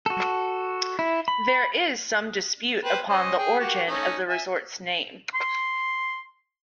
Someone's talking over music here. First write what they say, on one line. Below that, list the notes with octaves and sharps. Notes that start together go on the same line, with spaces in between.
There is some dispute upon the origin of the resort's name.
F#4 A4
E4
B5
B4 C5 G5
C#4 C5 D#5
G#4 G5
A#3 F#4 G4
A3 C#4 D#4
E5 G#5
C6